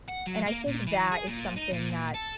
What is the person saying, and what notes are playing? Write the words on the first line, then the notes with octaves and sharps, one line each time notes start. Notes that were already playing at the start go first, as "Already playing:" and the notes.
and I think that is something that
F#5
F#3
A#3
A#2
E3
G#4
A#2
D#4
A#2
A#2
A4